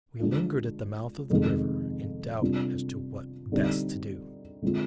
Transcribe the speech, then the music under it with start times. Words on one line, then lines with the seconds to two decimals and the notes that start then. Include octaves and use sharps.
We lingered at the mouth of the river in doubt as to what best to do.
0.20 D3 G#3 D4 F4
1.30 F2 C3 D#3 G#3
2.41 C3 G3 D4 F4
3.52 D3 G3 C4 D#4
4.62 D3 G#3 C4 F4